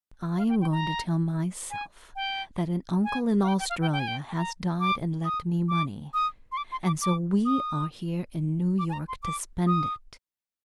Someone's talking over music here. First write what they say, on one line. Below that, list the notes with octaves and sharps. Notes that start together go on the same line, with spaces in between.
I am going to tell myself that an uncle in Australia has died and left me money, and so we are here in New York to spend it.
F5
G5
G5
A#5
G#5
G5
G#5
F5
G5
G5
F5
G5
G5
G#5
G5
A#5
D6
D#6
D6
D#6
C6
D6
C6
D6
D6
D#6
D6
G#5
A#5
C6
D6
D#6